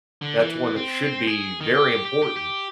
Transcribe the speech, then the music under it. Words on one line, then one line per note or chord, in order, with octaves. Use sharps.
that’s one that should be very important.
D3
E3
C4
G#4
D#3
G4
G4
G4
G4